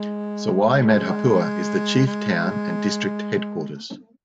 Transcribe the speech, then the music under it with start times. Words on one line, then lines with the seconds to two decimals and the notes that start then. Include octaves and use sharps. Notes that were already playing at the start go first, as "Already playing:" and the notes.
Sawai Madhopur is the chief town and district headquarters.
Already playing: G#3
0.90 G#3
2.07 G#3